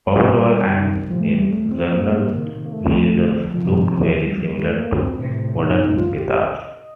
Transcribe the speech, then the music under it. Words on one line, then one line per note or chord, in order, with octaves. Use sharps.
Overall and in general, vihuelas looked very similar to modern guitars.
F3
G3
C3 D#3
A2 C3 F3
A3
G3
A3
C4
A2 C3 A#3
C3 D#3
A#3
A3
D3 F3
C3 D#3 F3
G3
F3
G3
A3
A#3
C4
A2 C3
D#4
D#4
D#4
F4
G4
D#5